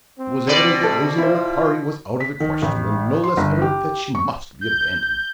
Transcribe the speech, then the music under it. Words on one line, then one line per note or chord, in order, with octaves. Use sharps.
It was evident that raising the MACQUARIE was out of the question, and no less evident that she must be abandoned.
C4
B2 D5
C3 A4
E4 F4 C5
B6
D#3
A1
C6
G1
G4
C#6
G6